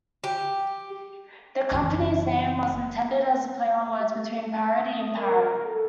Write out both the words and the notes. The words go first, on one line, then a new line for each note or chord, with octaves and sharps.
The company's name was intended as a play-on-words between "parody" and "parrot".
G4
F#1 E3
G4
A3
D#6
A#4
A4